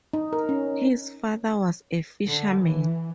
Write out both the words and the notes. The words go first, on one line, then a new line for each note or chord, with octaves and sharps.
His father was a fisherman.
D#4
A#4
C#4
D3
E3